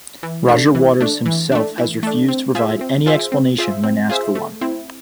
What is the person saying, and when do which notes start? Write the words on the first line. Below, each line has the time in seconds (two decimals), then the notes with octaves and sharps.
Roger Waters himself has refused to provide any explanation when asked for one.
0.23 E3
0.49 A3 D4
0.75 E3
1.01 A3 D4
1.26 E3
1.52 A3 D4
1.78 E3
2.03 A3 D4
2.28 C4
2.55 F4 G#4 C5 E5
2.81 C4
3.06 F4 G#4 C5 E5
3.32 C4
3.58 F4 G#4 C5 E5
3.84 C4
4.10 F4 G#4 C5 E5
4.35 A3
4.61 C4 E4